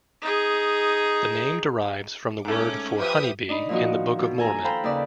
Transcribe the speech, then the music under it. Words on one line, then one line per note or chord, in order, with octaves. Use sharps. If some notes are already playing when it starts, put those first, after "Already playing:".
The name derives from the word for "honeybee" in the Book of Mormon.
D#4 G#4
G#2 A3 C#4 D6
F3 G4 B4 E5 D#6
D4 D#4 B5
A#2 D#3 F3 D#4 F#4
B2
A4 G#5 A#5
A4 C5 F5 G5 A#5 B5
D#2 C#3 B4 D5